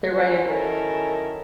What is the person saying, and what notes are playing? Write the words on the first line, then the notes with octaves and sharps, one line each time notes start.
Their writing.
F#2 F3 C#4 C5
D#3 F#3 C#4 E4 A4 A#4